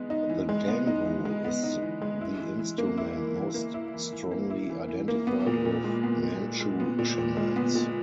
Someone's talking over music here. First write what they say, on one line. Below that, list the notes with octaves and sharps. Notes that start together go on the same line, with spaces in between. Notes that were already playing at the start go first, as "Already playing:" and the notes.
The "dangu" is the instrument most strongly identified with Manchu shamans.
Already playing: E3 G#3 B3 D#4
D#4
E3
G#3
B3
D#4
E3
G#3
B3
D#4
E3
G#3
E4
E3
E3
A#3
E4
E3
E3
A#3
E4
E3
E3
A#3
E4
E3
E3
A#3
B3
A#2
A#2
G#3
B3
A#2
A#2
G#3
B3
A#2
A#2
G#3
B3
A#2